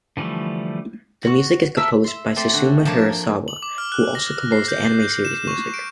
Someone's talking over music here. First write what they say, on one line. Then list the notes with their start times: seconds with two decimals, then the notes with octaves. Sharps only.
The music is composed by Susumu Hirasawa, who also composed the anime series' music.
0.17 D3 E3 F3 G3 A3
1.23 F#4 F#5 C#6
1.77 A4 A#4 E5 E6
2.04 E5 C6
2.36 A3 C4 D5 C6
2.53 D3 F#4
2.85 F3 A#3 D4 C#5 D5
3.48 F#7
3.62 D6
3.78 F6
3.92 F#6
4.15 A#6
4.52 C7
4.68 G6
4.80 G6
5.02 G6
5.25 E7
5.48 C#6
5.74 D7